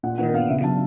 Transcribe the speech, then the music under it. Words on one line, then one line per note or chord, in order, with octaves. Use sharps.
There you go
A#2 F#5
A#2 F#5
B3 F5
C#3 E5
F#3 A5